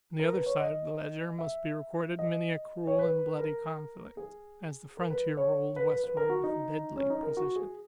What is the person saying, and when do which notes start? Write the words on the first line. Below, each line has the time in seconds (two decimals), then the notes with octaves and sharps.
On the other side of the ledger must be recorded many a cruel and bloody conflict as the frontier rolled westward with deadly precision.
0.19 A#4
0.33 B4
0.46 C#5
0.59 D#5
1.39 E5
2.19 D#5
2.87 C#5
2.99 B4
3.38 A#4
4.17 G#4
4.97 A#4
5.10 B4
5.37 C#5
5.76 B4
5.90 B4
6.04 B4
6.17 A#4
6.30 F#4
6.44 D#4
6.96 C#4
7.10 D#4
7.23 A#4
7.37 F#4
7.56 G#4